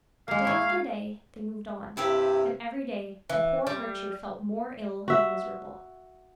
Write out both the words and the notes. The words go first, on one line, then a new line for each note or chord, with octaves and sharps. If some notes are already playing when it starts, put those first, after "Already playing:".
Day after day they moved on, and every day the poor merchant felt more ill and miserable.
G#3 A#3 F5
E4 C#5
G2 C3 E4 G4 E5
E3
G3
F#4 E5